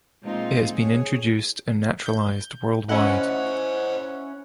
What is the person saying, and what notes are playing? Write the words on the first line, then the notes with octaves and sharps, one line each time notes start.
It has been introduced and naturalized worldwide.
A#2 G#3 C4 D#4 F4
G#4 C#5
G6
C#4 E4 C5 D#5 F#5